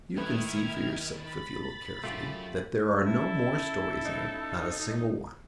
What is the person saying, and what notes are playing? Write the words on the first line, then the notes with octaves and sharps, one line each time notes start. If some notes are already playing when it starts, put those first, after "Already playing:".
You can see for yourself, if you look carefully, that there are no more stories in it; not a single one.
D#3 A3 E4 B4 F6 G#6
B5 A6
B1 F#2 A3 F4 G4
C#4 E4 A4
D#4